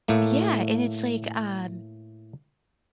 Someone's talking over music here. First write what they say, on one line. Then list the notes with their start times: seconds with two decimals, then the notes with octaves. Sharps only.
Yeah, and it's like um,
0.08 A2 A3 A#3